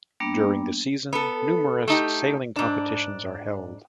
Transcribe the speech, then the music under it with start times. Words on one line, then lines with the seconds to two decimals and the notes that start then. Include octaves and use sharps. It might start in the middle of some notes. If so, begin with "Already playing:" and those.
During the season numerous sailing competitions are held.
0.20 G3 A#3 B3 D4
1.13 B3 A4
1.88 A3 D#4 G4
2.56 G#2 D4